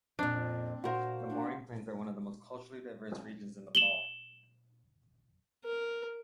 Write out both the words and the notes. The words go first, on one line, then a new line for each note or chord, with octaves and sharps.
The Morang plains are one of the most culturally diverse regions in Nepal.
F2 A#2 C4 D4
A#2 F#4 A#4 C5 F5
D4
E7 F#7 G7
A#4